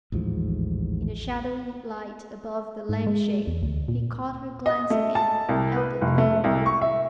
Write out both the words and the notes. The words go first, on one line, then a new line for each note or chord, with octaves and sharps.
In the shadowy light above the lampshade he caught her glance again and held it for a moment.
A1 D#2 G#2 F3
G#2
G#3
E2
D2
A#2
D#5
A3
A5
C2
B4
F1
A3
C2
C#6
E5